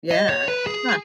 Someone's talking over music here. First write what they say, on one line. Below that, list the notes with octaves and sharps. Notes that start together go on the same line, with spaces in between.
Yeah. Huh.
D#5
C#5
B4
G#4